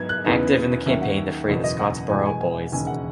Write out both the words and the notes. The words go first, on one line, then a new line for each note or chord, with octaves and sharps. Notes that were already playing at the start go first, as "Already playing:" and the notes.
Active in the campaign to free the Scottsboro Boys.
Already playing: G#2 F#3 B3 G#6
F#6
E2 C#3 E3 B3 D#4
D#2 D#3 F#3 C#4 E5
F#5
F#1 E2 B2
D#5
F#5
E2 B2 G#3 G#5
G#5
G#5
E1 D#2 C#3 G#5
F#5